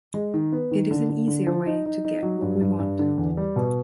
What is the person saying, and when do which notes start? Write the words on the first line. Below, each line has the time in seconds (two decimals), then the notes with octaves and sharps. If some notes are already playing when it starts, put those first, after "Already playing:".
It is an easier way to get what we want.
0.14 G#3
0.34 D#3
0.52 B3
0.71 D#3
0.91 D3
1.09 D3
1.28 D3
1.47 F3
1.66 D#4
1.86 D#4
2.05 D#4
2.23 F#3
2.42 G2
2.61 G2
2.79 G2
2.99 D3
3.18 E2
3.37 G3
3.56 B2